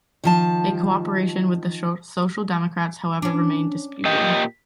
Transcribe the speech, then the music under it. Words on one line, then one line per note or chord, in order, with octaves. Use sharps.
A cooperation with the Social Democrats, however, remained disputed.
D#3 F3 A5
C#4 D4
A#2 G4 D#5